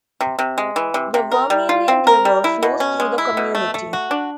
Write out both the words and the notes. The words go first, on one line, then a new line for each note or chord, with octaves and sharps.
The Vermillion River flows through the community.
C3
C3
G#3
E3
C3
C3
A#4
G3
F4
C4
A#4
G3
E4
B2
C#4
G#3
E4
B2
A3
A3
F#4
D4